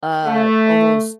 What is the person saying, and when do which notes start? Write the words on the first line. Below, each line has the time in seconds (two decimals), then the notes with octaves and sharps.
uh, almost,
0.25 A3